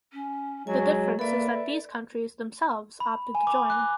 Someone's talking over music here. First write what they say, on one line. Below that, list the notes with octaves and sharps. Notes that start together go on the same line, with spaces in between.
The difference is that these countries themselves opted to join.
C#4
F#3 G#3 F#4 G#5
A#3 A4 B4 D5 E5
B5
G#5
D6
F#6